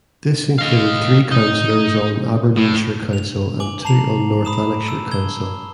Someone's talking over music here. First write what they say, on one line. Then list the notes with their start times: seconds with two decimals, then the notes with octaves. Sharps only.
This included three councillors on Aberdeenshire Council and two on North Lanarkshire Council.
0.58 D#5 F5
1.31 D#4
2.57 A2
3.13 F7
3.60 G#5 D6 F#7
3.85 A5 A#5 C7 F7
4.45 B5 D#6 E7
4.88 D#6 E6
5.11 E6 G#6 G7